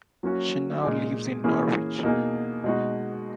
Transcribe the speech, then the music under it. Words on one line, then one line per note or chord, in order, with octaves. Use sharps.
She now lives in Norwich.
F#3 A#3 C#4 F#4
A#2 G#3 D#4 G#4
E3 A#3 C#4 E4 G#4
B2 A#3 D#4 G#4
B2 G#3 D#4 F#4